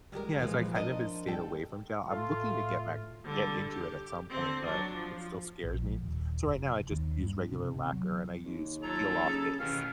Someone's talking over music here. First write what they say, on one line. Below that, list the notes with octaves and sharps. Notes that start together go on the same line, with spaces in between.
yeah. So I kind of stayed away from gel. I'm looking to get back get into it at some point, but it still scares me. So right now, I just use regular lacquer, and I use peel off base.
G3 G#3 G4 A#4
A#2 E3 F3 G#3
F3 D4 A#4 D#5
G3 A4 G5
A2 A3 F4
D3 G3
G4
D3 C4
F#3 D4
F3
A#1
D#1
F1
D#2
G2
C3
C3
F#3
D#2
F#3 F4 A4 A#5
C#3 C#4
A1 B2 D#3 F5